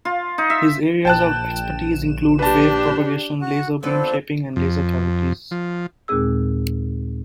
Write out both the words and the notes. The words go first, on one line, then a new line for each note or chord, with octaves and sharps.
His areas of expertise include wave propagation, laser beam shaping and laser cavities.
F4
D#4
E5
A#1 G5 A5 F#6 E7
D4 G4 B4 A5
F#4 F#5 C#6
F3 B3 C4 D4 A4 B4
F2
F3
D#2 A#2 G#3 C4 G#4 E6